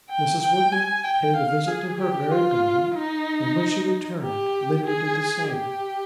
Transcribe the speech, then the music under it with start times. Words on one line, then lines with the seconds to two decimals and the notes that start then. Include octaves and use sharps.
Mrs. Woodward paid a visit to her married daughter, and, when she returned, Linda did the same.
0.09 G5
0.41 G5
0.72 G#5
1.04 G5
1.36 F5
1.68 G#4
2.00 G4
2.31 F4
2.95 D#4
4.22 G4
4.86 G#4
5.49 G4